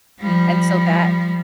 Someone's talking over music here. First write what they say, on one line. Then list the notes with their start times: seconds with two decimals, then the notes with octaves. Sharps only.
and so that
0.20 F3 G3